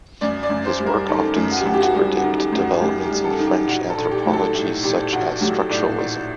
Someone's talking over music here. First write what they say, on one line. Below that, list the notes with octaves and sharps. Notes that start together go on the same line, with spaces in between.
His work often seemed to predict developments in French anthropology, such as structuralism.
F#2 D5
D5
F#2
C5
G3
A#4
D#3 A4
F#2
F#4
G4
F#2 F#4
G4
F#4
G3 G4
F#4
D#3
G4
F#2
F#4
F#2 G4
G4
G3
A4
D#3
G4
A#1 F#4
A4
A#1
G4
F#3
A4
A2 G4
A#1 G4
A#1 F#4
F#3 G4
A2 D5
A#1 D5